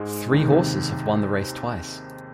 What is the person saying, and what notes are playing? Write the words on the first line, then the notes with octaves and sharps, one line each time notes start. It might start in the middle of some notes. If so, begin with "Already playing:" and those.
Three horses have won the race twice.
Already playing: G#2 G#3
D#2 D#3
C3